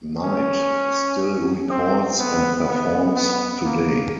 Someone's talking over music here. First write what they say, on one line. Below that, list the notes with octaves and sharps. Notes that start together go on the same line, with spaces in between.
Knight still records and performs today.
C#4
C4
B3
B3
B3
A#3